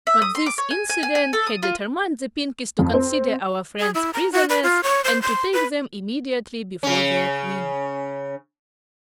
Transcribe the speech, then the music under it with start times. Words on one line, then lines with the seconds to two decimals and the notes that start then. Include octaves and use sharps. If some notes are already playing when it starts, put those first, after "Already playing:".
But this incident had determined the Pinkies to consider our friends prisoners and to take them immediately before their Queen.
0.07 E5
0.22 D#6
0.35 C6
0.46 D6
0.58 C#5
0.71 G#5
0.89 G#5
1.03 G#5
1.15 G#5
1.33 A4
1.47 D#6
1.63 F4
2.79 F2
2.94 C4
3.79 G#4
3.94 E4
4.14 A#5
4.32 F#4
4.49 B4
4.63 F4
4.83 C#5
5.04 C5
5.22 C6
5.54 B4
6.83 C#3 C#4